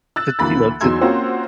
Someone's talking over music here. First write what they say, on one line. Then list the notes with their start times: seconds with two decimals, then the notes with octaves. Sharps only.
to, you know, to
0.16 E6 F#6 A6
0.39 D2 E3 A#3 B5 A6
0.81 E2 F#3 D#4 C6 E6 G#6
1.01 A#3 C4 C#4 F4 F#4 C5